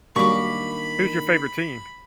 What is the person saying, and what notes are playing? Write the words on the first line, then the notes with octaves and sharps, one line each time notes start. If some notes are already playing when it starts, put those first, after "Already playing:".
Who's your favorite team?
D#3 F#3 G3 A#3 D4 B5 C#6 D6